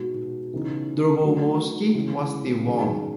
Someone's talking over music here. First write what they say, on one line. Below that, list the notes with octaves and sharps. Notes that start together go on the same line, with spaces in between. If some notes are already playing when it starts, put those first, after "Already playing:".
Dobrovolsky was still warm.
Already playing: B2 G#3 D#4 F#4
C#3 E3 B3 D#4
F#3 A3 D#4
C#3 E3 G#3
D#3 F#3 C#4 G#4